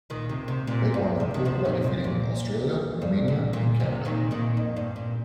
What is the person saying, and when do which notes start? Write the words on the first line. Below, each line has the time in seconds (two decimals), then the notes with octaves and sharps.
They won their pool by defeating Australia, Romania, and Canada.
0.10 A#2 D#3
0.29 C3
0.48 C3
0.67 A#2
0.94 G2
1.20 C3
1.34 D#3
1.45 C3 F3
1.65 A#2 D#3
1.84 C3
2.04 A#2
3.02 G2
3.28 A#2
3.53 A#2
3.80 C3
4.05 A#2 D#3
4.31 A#2 D#3
4.57 F2
4.77 G2
4.96 A#2